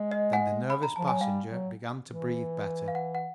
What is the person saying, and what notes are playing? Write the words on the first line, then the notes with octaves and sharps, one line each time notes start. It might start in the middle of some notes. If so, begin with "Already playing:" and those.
Then the nervous passenger began to breathe better.
Already playing: G#3
D#5
F#5 G#5
B5
A#5
F3 A5
F#3 G#5
G3 F5 G5
F#3
E3
F5
F#5
F#5